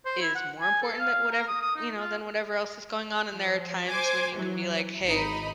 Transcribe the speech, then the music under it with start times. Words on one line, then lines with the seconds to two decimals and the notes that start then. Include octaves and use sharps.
is more important tha whatever," you know, "than whatever else is going on." And there are times when you can be like, "Hey,
0.05 C5
0.21 E4
0.35 F#5
0.60 G#5
0.83 A4
0.99 F5
1.31 A#4
1.48 D#6
1.61 D#6
1.76 D#4
1.98 F4
3.31 F3
3.89 C5 G#5 D6
4.35 E3 F#3
5.05 G#1 D#4 B5